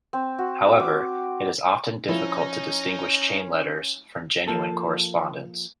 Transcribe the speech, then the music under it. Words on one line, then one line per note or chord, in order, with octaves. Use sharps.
However, it is often difficult to distinguish chain letters from genuine correspondence.
C4
F#4
D6
F3 C#4 D#4 E4
F3 A#3 A4